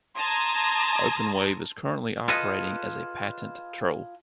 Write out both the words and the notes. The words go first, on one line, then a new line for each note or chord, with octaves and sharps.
Openwave is currently operating as a patent troll.
A5 A#5 C6 D#6 G#6
F4 G#4 A4 B4 D#5